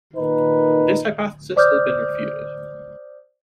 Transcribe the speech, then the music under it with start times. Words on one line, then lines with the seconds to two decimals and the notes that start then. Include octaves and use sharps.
This hypothesis has been refuted.
0.16 A#2 D#3 D#4 B4
1.56 C5 D5 D6 D#6 F6 G6